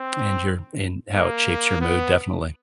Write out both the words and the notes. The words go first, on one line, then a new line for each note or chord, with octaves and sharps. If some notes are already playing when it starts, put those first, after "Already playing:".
and your and how it shapes your mood, definitely.
Already playing: C4
A#3
B3